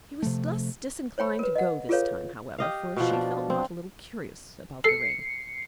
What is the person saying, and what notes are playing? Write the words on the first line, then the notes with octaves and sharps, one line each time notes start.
She was less disinclined to go this time, however, for she felt not a little curious about the ring.
C3 F3 A3
C5 C#5 G5 B5
A#4 B4
D#5 F#5
F4 G#4 A4 B4 C#5 F5
G4 D#5 F5
B2 F3
D4 D5
C4
A4 C7 C#7